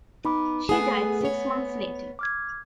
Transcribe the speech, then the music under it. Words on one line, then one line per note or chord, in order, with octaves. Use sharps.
She died six months later.
B3 D#4 B5 D6
A3 B3 G#4 F#5 G#5 D#6
B3 C#5
D6 F6 G#6